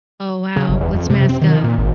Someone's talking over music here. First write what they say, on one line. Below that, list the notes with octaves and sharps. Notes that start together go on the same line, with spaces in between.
Oh, wow. Let's mask up.
C#3
G1
E2
F2
C3
C4
D#3
A#2
G#1